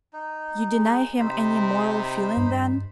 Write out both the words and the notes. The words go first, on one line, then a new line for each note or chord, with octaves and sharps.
You deny him any moral feeling then?
D#4
G#3
C3 D#4 C5 B5
G2